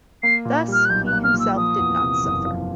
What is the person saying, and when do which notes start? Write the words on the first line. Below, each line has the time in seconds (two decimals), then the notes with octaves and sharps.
Thus he himself did not suffer.
0.23 A#3 C7
0.45 A#2
0.68 G3 F6
0.85 F#6
0.90 B1 G6
1.07 F#6
1.13 A#3
1.23 F6
1.34 A#2
1.40 E6
1.56 F3 D#6
1.78 E2
2.01 C3
2.23 F#1
2.46 F3